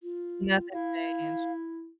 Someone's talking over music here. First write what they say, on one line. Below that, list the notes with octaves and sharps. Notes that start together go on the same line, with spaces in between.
Nothing changed.
F4
E4 F5